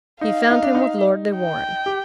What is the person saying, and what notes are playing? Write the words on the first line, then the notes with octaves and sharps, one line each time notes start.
He found him with Lord de Warenne.
D#4 F5
D#4
D4
D#4
G5
G4